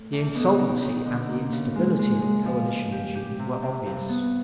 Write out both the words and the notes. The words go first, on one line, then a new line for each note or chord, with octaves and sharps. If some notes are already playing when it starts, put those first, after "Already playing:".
The insolvency and the instability of the coalition regime were obvious.
Already playing: A2
E2
B2
D#4
D#4
D3
A#3
C#3
G#3
G#3
G#3
F3
F3
G4
G4
C3
C3
G2
B3